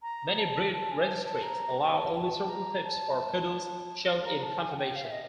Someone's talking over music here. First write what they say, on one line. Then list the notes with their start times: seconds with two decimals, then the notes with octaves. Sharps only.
Many breed registries allow only certain clips for poodles shown in conformation.
0.02 A#5
0.39 A5
0.73 A5
0.91 G#5
1.08 A5
1.26 A5
1.43 A#5
1.79 A5
2.14 A5
2.49 A#5
2.84 A5
4.25 A#5
4.42 A5
4.59 G#5
4.71 F#5
4.78 G5
4.96 F5
5.04 E5
5.12 D#5